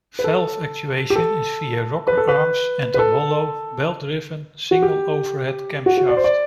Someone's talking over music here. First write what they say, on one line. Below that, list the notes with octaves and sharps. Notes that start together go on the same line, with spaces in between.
Valve actuation is via rocker arms and a hollow, belt-driven single overhead camshaft.
B4
A4
G4
A4
B4
A4
B4
B4
A4
F#4
G4
F#4
F#4
D5
C5
D5